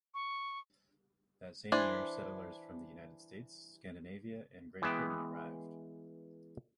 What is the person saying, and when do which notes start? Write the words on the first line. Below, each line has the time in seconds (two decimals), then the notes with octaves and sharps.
That same year settlers from the United States, Scandinavia and Great Britain arrived.
0.14 C#6
1.72 E3 D4 C5 G#5
4.82 E3 G#3 B3 E5 G5